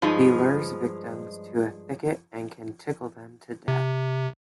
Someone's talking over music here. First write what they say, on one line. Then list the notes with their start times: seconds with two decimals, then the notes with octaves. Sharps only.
He lures victims to a thicket and can tickle them to death.
0.02 G2 F3 G#3 D#4
3.68 C3